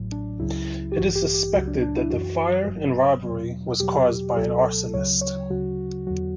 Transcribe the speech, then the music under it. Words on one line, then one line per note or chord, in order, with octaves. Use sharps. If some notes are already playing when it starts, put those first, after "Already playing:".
It is suspected that the fire and robbery was caused by an arsonist.
Already playing: A1 A2 F#3
D4
C#2 C#3 F#3 E4
G4
A1 G2 E3 F#4
G4
G4
C#2 C#3 F#3 F#4
D4
D4
E4
F#2 E3 F#4
G1 G2 F#3
E2 B2 F#3
E2 B2 F#3 G4
C#2 B2 F#3 A4
D2 C#3 F#3 C#5
C#5
D2 C#3 F#3 F#4
E2 D3 F#3 F#4